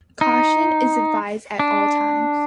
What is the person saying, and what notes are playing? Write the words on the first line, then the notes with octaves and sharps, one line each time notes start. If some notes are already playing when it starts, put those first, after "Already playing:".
Caution is advised at all times.
D#4
D4